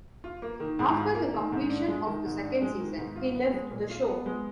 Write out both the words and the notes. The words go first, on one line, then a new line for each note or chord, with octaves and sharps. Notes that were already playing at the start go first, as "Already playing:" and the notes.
After the completion of the second season, he left the show.
F4
A#3
D#3
G#2
F4
A#3
D#3
G#2
D4
G#3
D#3
G#2
D4
G#3
D#3
G#2
F4
B3
G#3
A#2
F4
B3
G#3